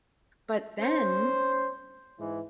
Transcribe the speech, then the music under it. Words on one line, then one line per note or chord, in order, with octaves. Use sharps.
But then,
C#4 C5
G#2 E3